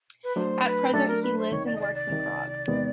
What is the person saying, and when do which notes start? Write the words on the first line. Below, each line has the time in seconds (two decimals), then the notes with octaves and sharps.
At present he lives and works in Prague.
0.24 B4
0.36 F#3 A3 D4 C5
0.65 B4
0.94 F#3 A3 D4 A4
1.08 A#4
1.23 B4
1.38 C5
1.51 C2 C3 D#3 C#5
1.66 D5
1.75 D#5
1.81 D5
1.95 D5
2.10 C2 C3 D#3
2.67 E2 C3 D#3 G#3 B3